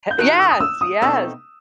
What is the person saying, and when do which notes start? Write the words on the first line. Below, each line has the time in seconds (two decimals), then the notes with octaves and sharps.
yes, yes,
0.11 G6
0.18 D#3 A3 D#4 F#4 A4 F#6
0.40 E6
0.51 D#6
0.60 E6
0.81 D#6
1.02 B2 A3 C4 D#4 E6